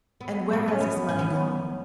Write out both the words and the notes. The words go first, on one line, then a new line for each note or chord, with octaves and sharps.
"And where has this money gone?"
B3
B3
C#4
B3
C#4
B3